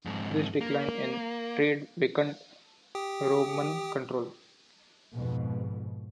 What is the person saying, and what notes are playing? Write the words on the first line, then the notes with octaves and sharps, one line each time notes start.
This decline in trade weakened Roman control.
F2 G#2
A#3
G4 G5 D#6
F2 G#2 B2